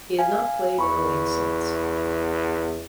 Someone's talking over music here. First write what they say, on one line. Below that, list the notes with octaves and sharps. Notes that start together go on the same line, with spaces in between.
He has not played in the league since.
F5 G#5
E2 B5 C#6